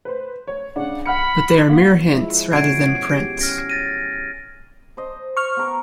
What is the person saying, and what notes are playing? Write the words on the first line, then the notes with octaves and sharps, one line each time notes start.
But they are mere hints rather than prints.
B4 C5
C#5
C#3 D4 F#5
F#5 B5 F6 C#7
A#3 F#5
F3 G#3 E4
B2 C#4 F#4 G#6 C7 D7
G4
C#4 F6 A#6
A6 A#6 D#7
C5 D#5
C#6 F6
B3 A#4